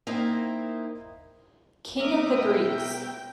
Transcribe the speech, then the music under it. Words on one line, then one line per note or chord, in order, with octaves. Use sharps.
"King of the Greeks".
A#3 C4 D#4 E4
E3 A#3 A#4 E5 D6 D#6
B2 B3 C#5 G5